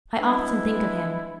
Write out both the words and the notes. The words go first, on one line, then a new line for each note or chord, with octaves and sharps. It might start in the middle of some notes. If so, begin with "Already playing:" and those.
I often think of him.
E3 G3 G#3 B3 D4 E4